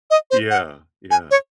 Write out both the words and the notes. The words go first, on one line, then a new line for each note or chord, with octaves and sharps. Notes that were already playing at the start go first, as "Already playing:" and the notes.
Yeah. Yeah,
D#5
C5
F#5
G#5
C#5